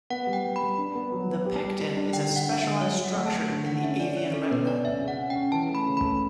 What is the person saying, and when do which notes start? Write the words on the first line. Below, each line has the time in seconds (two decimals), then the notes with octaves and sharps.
The pecten is a specialised structure in the avian retina.
0.10 B3 F#5
0.27 G3
0.33 G5
0.45 G3
0.56 B5
0.61 G3
0.78 D4
0.95 B3
1.12 F#3
1.29 B3
1.46 G4
1.63 G3
1.80 G3
1.97 D4
2.13 D3 G5
2.31 D3
2.36 F#5
2.47 D3
2.59 E5
2.64 D3
2.81 F#3 C#5
2.98 F#3
3.04 F#5
3.15 A3
3.26 A5
3.32 A3
3.49 D3
3.66 D3 F#5
3.83 C#4 E5
4.00 C#4 D5
4.17 C#4 C#5
4.34 C#4 A4
4.51 B2 B4
4.67 C#4 D5
4.85 C#4 E5
5.01 C#3
5.08 F#5
5.18 C#4
5.30 G5
5.36 C#4
5.52 E3 A5
5.69 A3
5.75 B5
5.86 C#3
5.97 B5
6.03 A3